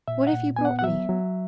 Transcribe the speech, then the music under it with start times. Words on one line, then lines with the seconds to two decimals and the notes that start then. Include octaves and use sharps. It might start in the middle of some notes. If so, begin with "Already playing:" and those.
What have you brought me?'
0.08 A#2 E5
0.27 F#5
0.33 A#2
0.56 B3 G#5
0.65 F#5
0.79 F#5
0.84 F#3 E5
1.09 F#3